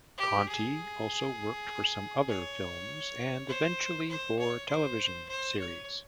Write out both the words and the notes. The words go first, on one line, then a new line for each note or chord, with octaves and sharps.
Conti also worked for some other films and, eventually, for television series.
G4
G#4
C#5
C5
C5
C#5
C5
C5
C#5